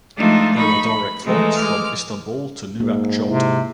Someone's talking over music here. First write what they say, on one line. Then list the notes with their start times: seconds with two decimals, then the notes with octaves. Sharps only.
There are direct flights from Istanbul to Nouakchott.
0.18 F3 G#3 A3 D4 D#4 F4
0.56 D#4 B5 C#6
0.88 B5
1.24 E3 F3 G#3 A3 D#4
1.57 G#3 D6 F6
2.80 G#2 A#3
3.29 C3 E4